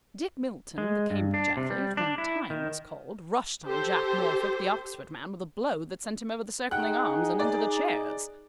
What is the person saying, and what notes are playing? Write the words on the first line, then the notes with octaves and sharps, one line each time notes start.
Dick Milton, the Cambridge athlete, when "time" was called, rushed on Jack Norfolk, the Oxford man, with a blow that sent him over the circling arms and into the chairs.
G#3
G2
D4
C3
G3
D4
E4
D#3
G4 A4 C5
D#4 G#4 F#5 G5 F#6
D5